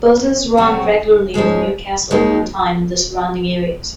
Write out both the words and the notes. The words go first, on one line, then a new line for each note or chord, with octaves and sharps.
Buses run regularly from Newcastle upon Tyne and the surrounding areas.
C3 F#3 C4 F#4
G#2 F3 G#3 C#4
D#2 D#3 G#3 D#4